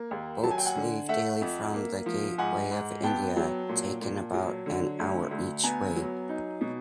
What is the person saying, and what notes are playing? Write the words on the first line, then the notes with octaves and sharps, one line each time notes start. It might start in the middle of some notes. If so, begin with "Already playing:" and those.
Boats leave daily from the Gateway of India, taking about an hour each way.
Already playing: A#3
D#2
F#3 A5
G#5
G5
F#5 G#5
D3
A3 E5 F#5
F2
A#3
F3
G#2 F#5 G#5
G#2
B3 G5 A5
F#3
A#2
A#2
F#3
D3
D2
D2
B3 G#5 A#5
F#3
D#4
B2